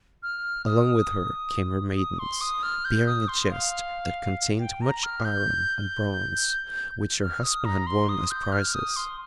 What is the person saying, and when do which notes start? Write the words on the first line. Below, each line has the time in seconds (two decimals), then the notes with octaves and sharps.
Along with her came her maidens, bearing a chest that contained much iron and bronze which her husband had won as prizes.
0.23 F6
0.66 D#6
1.97 D#6
2.19 C6
2.41 D#6
2.63 F6
2.85 G6
3.07 D#6
3.28 C6
3.50 F5
4.59 G5
4.81 A#5
5.03 F6
5.25 G6
7.21 F6
7.43 D#6
7.65 A#5
7.87 C6
8.09 D#6
8.31 G6
8.52 F6
8.74 D#6
8.96 C6